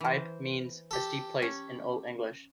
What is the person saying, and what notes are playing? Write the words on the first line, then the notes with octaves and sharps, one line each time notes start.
Eype means 'a steep place' in Old English.
E3 C5
G4 A4
C#4